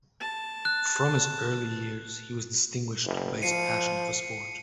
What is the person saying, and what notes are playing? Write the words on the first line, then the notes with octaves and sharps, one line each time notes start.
From his early years he was distinguished by his passion for sport.
A5
F#6
F#1
F3 C7 C#7 D#7